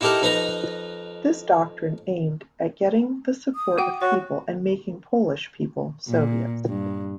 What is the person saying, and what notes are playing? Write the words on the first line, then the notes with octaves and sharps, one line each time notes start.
This doctrine aimed at getting the support of people and making Polish people "Soviets".
D#4 E4 G4 A4 A#4
F2 D#4 B4 A#5
D#6
F#4 F#5 G5
F#4 C#5
A#2
G2